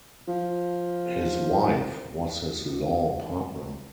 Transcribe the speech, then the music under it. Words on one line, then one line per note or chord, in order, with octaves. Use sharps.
His wife was his law partner.
F3